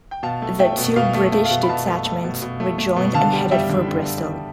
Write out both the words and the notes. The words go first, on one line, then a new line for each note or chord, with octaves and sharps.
The two British detachments rejoined and headed for Bristol.
G5
B2 F5 A5
A3
A3 E5 G5
B2
B2 F5
A3
A3
F5
B2
B5
B2 F5 A5
A3
A3
B2
B2
A3
A3
B2
D3 F5 A5
G3
G3 E5 G5
D3
D3